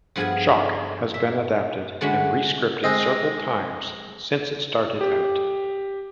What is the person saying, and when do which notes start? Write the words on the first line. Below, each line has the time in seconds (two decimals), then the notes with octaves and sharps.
"Shock" has been adapted and re-scripted several times since it started out.
0.16 G2 F3 B3 G#4 A4 G#5
1.14 E5
2.01 D3 G#3 A3 C#4 F#4 B5
2.84 G#3 C4 D#5
5.01 G4